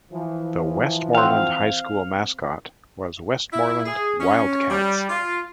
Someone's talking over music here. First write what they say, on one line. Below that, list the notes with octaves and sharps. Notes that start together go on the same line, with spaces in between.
The Westmoreland High School mascot was Westmoreland Wildcats.
E3 F3
C4 F5 F#5
E4
G#4
C#4
G3
F4